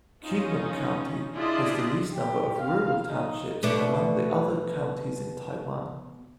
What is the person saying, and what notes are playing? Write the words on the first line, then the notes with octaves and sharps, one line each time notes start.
Kinmen County has the least number of rural townships among other counties in Taiwan.
C#4 D#4 F4
D4 E4 F4 G#4 D5 D#5
G4
F5
D#4
B2 A3 D4